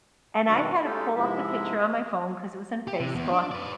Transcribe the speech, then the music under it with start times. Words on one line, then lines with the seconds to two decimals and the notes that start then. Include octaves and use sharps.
And I had to pull up the picture on my phone 'cause it was in Facebook,
0.48 B2 D#3 G3 C4 D4 F#4
0.83 G#3 C#4 D#4 F4 G4 A4
1.15 G#2 C3 F3 G#3 E4 E5
2.88 G4
3.00 C3
3.15 E2
3.32 D4
3.52 B4 D5